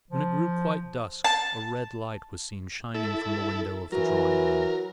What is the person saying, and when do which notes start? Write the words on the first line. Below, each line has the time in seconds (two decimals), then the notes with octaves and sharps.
When it grew quite dusk a red light was seen shining from the window of the drawing-room.
0.11 F3
1.24 A5
2.94 E4 A4
3.92 E3 F#3 A#4